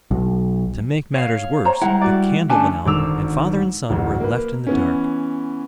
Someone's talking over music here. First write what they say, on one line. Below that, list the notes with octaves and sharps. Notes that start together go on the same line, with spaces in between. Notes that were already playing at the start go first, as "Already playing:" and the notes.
To make matters worse, the candle went out and father and son were left in the dark.
B1
C#5 F5
C5 C#5 A#5
G3 G#3 E4 F#5 A#5
F#4 D5
D3 A3 C#4 D4 G#5 A5
G#1 G#2 D3 D6 E6 F7
D1 A1 D2
A#3 B4
E3 B3 C#4